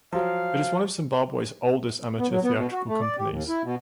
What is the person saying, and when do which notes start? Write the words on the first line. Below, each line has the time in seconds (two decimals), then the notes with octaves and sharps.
It is one of Zimbabwe's oldest amateur theatrical companies.
0.13 F3 F#3 F5
2.19 B3
2.30 F#3
2.44 B3
2.56 B2
2.72 F#4
2.88 A3
3.01 D5
3.18 G4
3.30 D#2
3.48 E4
3.64 B2